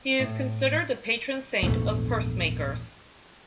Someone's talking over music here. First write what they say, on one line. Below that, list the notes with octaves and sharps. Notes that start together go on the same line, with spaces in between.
He is considered the patron saint of pursemakers.
A2
A#1 E2 G#2 A3